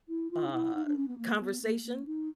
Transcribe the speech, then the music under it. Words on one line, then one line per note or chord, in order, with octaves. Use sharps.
uh, conversation,
E4
F4
D#4
E4
D#4
D4
C#4
B3
A#3
B3
A#3
A#3
D#4